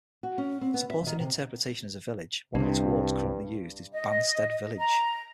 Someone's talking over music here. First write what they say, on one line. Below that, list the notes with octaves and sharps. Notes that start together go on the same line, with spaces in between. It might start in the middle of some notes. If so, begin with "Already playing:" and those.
Supporting interpretation as a village, one of its wards currently used is "Banstead Village".
F#4
C#4
C4
B3
E5
D#3
C3
C2 G2 C3 D4
D#5
A#5